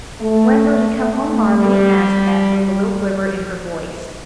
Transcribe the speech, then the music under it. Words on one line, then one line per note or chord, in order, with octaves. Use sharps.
"When will he come home, Marmee?" asked Beth, with a little quiver in her voice.
A3
A3
G3